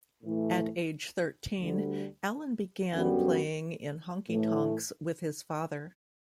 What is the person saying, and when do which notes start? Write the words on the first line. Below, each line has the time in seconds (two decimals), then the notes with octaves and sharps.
At age thirteen, Allan began playing in honky tonks with his father.
0.23 A2 E3 A3
1.59 D2 D3 G3
2.93 F#2 D3 G3 B3 F#4
4.29 A2 E3 A3